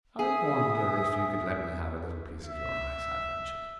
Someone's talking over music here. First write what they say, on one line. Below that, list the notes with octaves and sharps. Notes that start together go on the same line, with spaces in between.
"I wonder if you could let me have a little piece of your ice," I ventured.
G#4 E5 G#5 D#6
E5